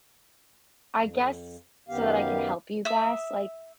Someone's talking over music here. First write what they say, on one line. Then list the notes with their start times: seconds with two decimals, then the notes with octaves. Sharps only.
I guess so that I can help you best, like,
0.96 F2
1.89 F#2 D#3 B3 G4 F5
2.85 E5 D#6